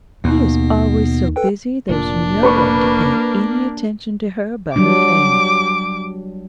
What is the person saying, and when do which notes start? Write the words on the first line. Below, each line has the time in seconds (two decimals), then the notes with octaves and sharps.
He is always so busy there's no one to pay any attention to her but her maid.
0.24 D#2 B2 B3
1.36 A4 B4 G5
1.89 F1 A#2 D4
2.43 A#3 B4 B5 C#6
4.76 F#3 G3 D4 D6